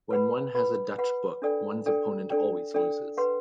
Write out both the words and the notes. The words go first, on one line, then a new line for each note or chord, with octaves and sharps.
When one has a Dutch book, one's opponent always loses.
B4 F#5 B5
B4 F#5 B5
B4 F#5 B5
D4 A4 D5 G5
D4 A4 D5 G5
D4 A4 D5 G5
D4 A4 D5 G5
B4 F#5 C6